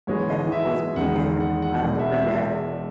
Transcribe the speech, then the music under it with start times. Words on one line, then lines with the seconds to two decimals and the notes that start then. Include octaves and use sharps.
Kim was beaten and left for dead.
0.07 G#2 E3 G#3 B3 C#5
0.30 D#5
0.52 E5
0.96 E2 D#3 G#3 D#4 F#5
1.40 F#5
1.62 F#5
1.84 E1 E2 B2 G#3 F#5
1.99 E5
2.13 E5